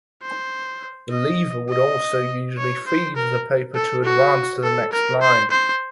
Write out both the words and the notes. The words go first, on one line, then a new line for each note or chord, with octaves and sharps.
The lever would also usually "feed" the paper to advance to the next line.
C5
D#5
D#5
C#5
C5
A#4
A4
F#4
A4
A#4
C5
C5